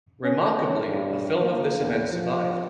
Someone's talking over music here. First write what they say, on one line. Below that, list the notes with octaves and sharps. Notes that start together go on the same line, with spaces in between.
Remarkably, a film of this event survived.
C#4
G2
A#3
E2
F3